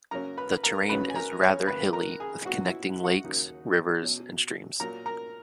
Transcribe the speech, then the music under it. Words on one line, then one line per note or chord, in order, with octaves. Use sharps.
The terrain is rather hilly, with connecting lakes, rivers and streams.
F#2 C#3 F#3 A#3 C#4 A#4 A#5
B4 B5
A#4 A#5
C#2 C#3 F#3 C#4 B4 B5
G#5
A#4 A#5
C#4 C#5
F#2 D#3 A#3 B4 B5
A#4 A#5
G#4 G#5
A#2 F#3 B3 F#4 F#5
E4 E5
F#4 F#5
D#2 C#3 F#3 A#3 D#4
B2 F#3 C#4
A#2 F#3 A#3 A#4 A#5
A#4 A#5